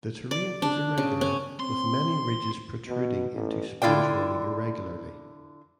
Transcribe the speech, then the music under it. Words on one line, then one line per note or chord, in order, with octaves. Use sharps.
The terrain is irregular with many ridges protruding into spurs running irregularly.
D5
D4
C#3
C#4
C4 C6
B2
A1
D3 E4 F4 D5 G5